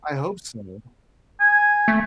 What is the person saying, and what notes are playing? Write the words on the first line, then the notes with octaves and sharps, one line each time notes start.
I hope so.
G#5
A3